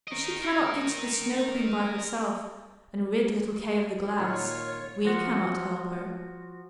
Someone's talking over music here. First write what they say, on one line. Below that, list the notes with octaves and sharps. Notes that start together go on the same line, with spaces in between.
If she cannot get to the Snow Queen by herself, and rid little Kay of the glass, we cannot help her.
A#4 D#5
A#2 D#3 F4 C#5 F#5
F3 F#4